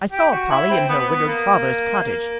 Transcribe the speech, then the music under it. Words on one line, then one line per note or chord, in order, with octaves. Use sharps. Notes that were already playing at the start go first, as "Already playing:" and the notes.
I saw Polly in her widowed father's cottage.
G4
F#4
E4
C4
B3
B3
A#3
A#3